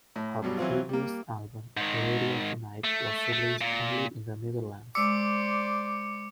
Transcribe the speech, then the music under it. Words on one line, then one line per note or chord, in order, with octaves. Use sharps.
Her previous album "Lady of the Night" was released only in the Netherlands.
A2
G2 B2 F#3 G3
E3 F#3 C4 F4
G3 A#3
G#2 D#3
A3
A3
A#2
G#3 C5 D5 D6 E6 C#7